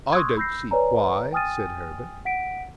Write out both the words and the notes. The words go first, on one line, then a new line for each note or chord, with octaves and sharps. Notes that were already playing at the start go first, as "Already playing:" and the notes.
"I don't see why," said Herbert.
C6 C#6 D#6 E6 F#6 G#6
B5 E6 G6 A#6 C7
B4 C#5 D5 G#5 A#5
G5 G#5 D#6 F6 A6 D#7
F#5 B6 D7